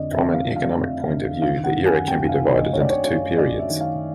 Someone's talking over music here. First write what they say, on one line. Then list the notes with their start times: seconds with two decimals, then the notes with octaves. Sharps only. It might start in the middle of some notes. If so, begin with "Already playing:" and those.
From an economic point of view, the era can be divided into two periods.
Already playing: F2 D3 F3 D5 D#5
0.12 F2 E5
0.34 F5
0.45 F3
0.56 F5
0.78 F2
1.10 D3
1.42 D#3 F5
1.64 F#5
1.75 F#2
1.86 G#5
2.08 F#2 G5
2.29 F5
2.40 D#3
2.51 D#5
2.73 D#3 C#5
2.81 D5
2.90 C#5
3.04 F#2 C#5
3.38 F#2 D5
3.59 E5
3.70 D#3
3.81 F5